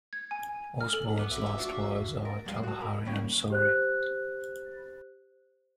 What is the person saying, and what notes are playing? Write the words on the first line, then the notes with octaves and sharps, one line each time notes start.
Osborn's last words are, Tell Harry, I'm sorry.
G#6
G#5
F6
A4
B3 D6
B1 E3 F#3 G3 E5
D#1 A3 C#4
D4 F#4 F5 F#5
G#1
E2 D4
A#4
F2 G3 G#3 D5 F5
F#4 A5
A#4 B5
C#3 G3 A#3 C#4 G5
G4 C5 F#6